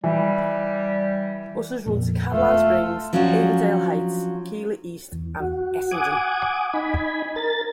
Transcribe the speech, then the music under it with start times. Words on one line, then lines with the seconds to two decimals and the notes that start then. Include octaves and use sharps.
Buses run to Caroline Springs, Avondale Heights, Keilor East and Essendon.
0.04 E3 G3
1.86 F2 A#2
2.31 E1 A3 F4 A4
3.13 F3 F#3 C#4 D4 F4 F#4
5.12 E2
5.40 F#4
5.91 F#5 G#5 D6 D#6
6.74 D#4 G#5 B5
7.36 A#4 A6